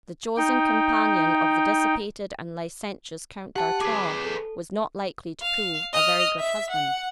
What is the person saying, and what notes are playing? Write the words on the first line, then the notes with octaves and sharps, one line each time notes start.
The chosen companion of the dissipated and licentious Count d'Artois was not likely to prove a very good husband.
D#4 G5
G4 F#5 A5
G#4 B4 D6
B5
A4
F5
D#5 F6
E5 B6
F#5